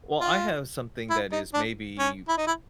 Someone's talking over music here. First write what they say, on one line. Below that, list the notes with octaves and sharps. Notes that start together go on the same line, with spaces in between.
Well, I have something that is maybe,
F4
E4
D#4
D4
C#4
E4
D#4
E4